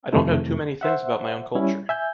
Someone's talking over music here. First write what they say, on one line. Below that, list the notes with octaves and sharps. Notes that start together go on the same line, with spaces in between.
I don’t know too many things about my own culture.
F2 C3 D#3 A3 E4
C5 E5 F#5
G3 C#4 E4
E5 G#5 G6